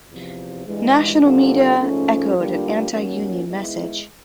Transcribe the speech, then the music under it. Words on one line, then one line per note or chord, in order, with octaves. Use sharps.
National media echoed an anti-union message.
E2 C3 F3
G2 E3 G#3
D#2 D3 G3 C4 F4
G#2 F3 A3 C#4
D3 G3 A#3 D4 F4
D#3 F#3 A#3 C#4
D#3 G#3 B3 E4